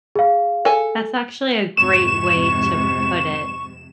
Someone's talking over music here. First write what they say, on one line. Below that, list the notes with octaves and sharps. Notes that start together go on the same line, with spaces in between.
That's actually a great way to put it.
G#4 F5
A4 G#5
F2 G#2 C3 C#6 E7